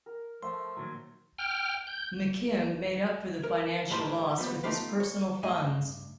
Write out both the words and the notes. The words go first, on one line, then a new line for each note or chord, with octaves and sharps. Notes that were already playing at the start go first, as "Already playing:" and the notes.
McKim made up for the financial loss with his personal funds.
A#4
F3 A3 E5 C6
A#2 D#3 F#3
G5 F6
G6
A#4
A2 D#3 G3 B4 A5 C6
F3 G3 B3
A3 B3 D#4 F4 G4 B4
C#5
G2 A3 D#5 G#5